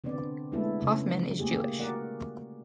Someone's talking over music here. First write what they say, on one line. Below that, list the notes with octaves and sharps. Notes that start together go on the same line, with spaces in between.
Hoffman is Jewish.
D3 B3 C4 D4 D5
G#3 A3 B3 D4 E4 A4
C#3 C#4
A3 A#3 G4 G#4
F#4 A#4 D5 F#5